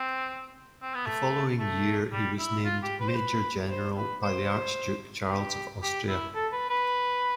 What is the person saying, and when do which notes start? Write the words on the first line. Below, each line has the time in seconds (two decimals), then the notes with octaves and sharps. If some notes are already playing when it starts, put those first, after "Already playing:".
The following year he was named major-general by the Archduke Charles of Austria.
Already playing: C4
0.82 C4
0.94 B3
1.06 A3
1.59 A3
2.12 G3
2.39 E4
2.64 F4
2.83 G4
3.00 B4
3.08 C5
3.15 B4
3.70 C5
3.97 B4
4.23 C5
5.29 G4
5.82 G4
6.08 E4
6.35 A4
6.52 B4
6.70 B4